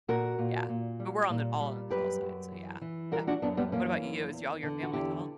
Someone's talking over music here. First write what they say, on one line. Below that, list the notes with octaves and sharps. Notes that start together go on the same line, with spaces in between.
yeah. But we're on the all on the tall side, so yeah, definitely. What about you? Is all your family tall?
A#2 F#4 A#4
A#2
A#2
G3
A#2
G3
F#2 G4 B4
F#2
E3
E3
G3 F#4 A#4
D4 F#4
F#2 B3 D4
G3 B3
E3 A#3 C#4
F#2
E2
D3
F#4
E2 E4 G4